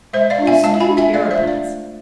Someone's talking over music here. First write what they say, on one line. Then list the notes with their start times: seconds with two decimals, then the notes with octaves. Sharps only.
To Stew Terrapins.
0.13 G#3 C5 E5
0.30 D5 F5
0.38 D4 F4
0.47 E5 G#5
0.64 G#3 F5 A5
0.80 G#5 B5
0.89 D4 F4
0.97 E5 G#5
1.14 A3 D5 F5
1.30 C5 E5
1.39 D4 F4
1.47 D5 F5
1.64 A3